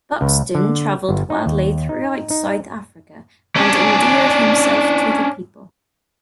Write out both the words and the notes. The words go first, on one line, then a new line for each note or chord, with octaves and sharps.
Buxton travelled widely throughout South Africa, and endeared himself to the people.
C#2
D3
G1
D#4
D#2
D#4
D#4
C#4 D4